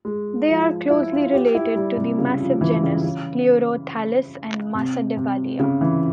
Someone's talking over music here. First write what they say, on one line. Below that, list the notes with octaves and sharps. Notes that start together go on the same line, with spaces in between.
They are closely related to the massive genus "Pleurothallis" and "Masdevallia".
G#3
F3
E4
F4
G4
E4
G3
C3
C#3
F3
E3
C#3
C#3
C3
C3
C#3
E3